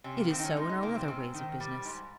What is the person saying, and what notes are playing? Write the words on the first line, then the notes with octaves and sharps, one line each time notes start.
It is so in all other ways of business.
C3 C#4
A#3
D#3 C4
D#4
C#4
G#3 D#4
D#4
C3 A#3
C4
G#2
D#3
G3
G#2